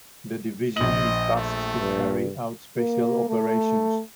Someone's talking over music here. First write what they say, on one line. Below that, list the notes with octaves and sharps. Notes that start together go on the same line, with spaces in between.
The division is tasked to carry out special operations.
A#1 D#5 F#7
A3
G2
A#3
A3